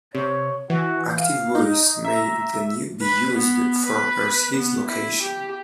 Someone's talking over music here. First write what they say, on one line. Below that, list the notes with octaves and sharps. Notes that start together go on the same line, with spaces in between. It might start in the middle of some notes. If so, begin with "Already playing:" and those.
Active buoys may then be used for precise location.
C3 C#5
E3 F#4
F5
D#4
E5 A#5
B4
B3
B4
B3
E4
G4